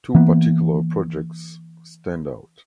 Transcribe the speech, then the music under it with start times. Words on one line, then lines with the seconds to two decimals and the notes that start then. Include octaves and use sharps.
Two particular projects stand out.
0.15 E3 A#3 B3